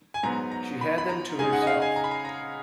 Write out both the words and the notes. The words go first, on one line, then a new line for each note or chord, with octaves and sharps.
She had them to herself.
G#5
G#2 F#3 B3 A#5
A#5
B5
B5
A#5
C#3 G#3 D#4 G#5
F#5
D#5
F5
G#5
A#5
B5
A#5
A#5